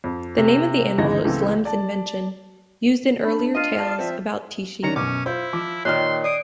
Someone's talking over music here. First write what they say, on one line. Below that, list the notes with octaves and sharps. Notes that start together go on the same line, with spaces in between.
The name of the animal is Lem's invention, used in earlier tales about Tichy.
F2
C3
G1 C#2 E3 G#3 D#4 A#6
C#2 E3 A3 C4
D5 A5
D4 B5
F4 D#5 F5 D#7
D5 A5
F3 C4 E5
D#3 C#4 D4 A#5 C#7
F#2 B2 C#4 D6
E4 F4 C5
F3 D6
A#2 D#3 C#5 D#5 G5 C6 F6 F#6
D5 D#6 C7 D7